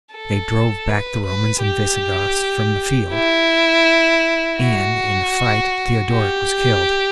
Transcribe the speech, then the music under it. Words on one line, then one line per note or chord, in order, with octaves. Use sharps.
They drove back the Romans and Visigoths from the field, and in the fight Theodoric was killed.
A4
B4
B4
G4
E4
F#4
G4